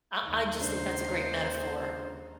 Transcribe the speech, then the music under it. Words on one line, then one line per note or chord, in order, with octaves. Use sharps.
I I just think that's a great metaphor
D#2 D#4
C#2 D4 C5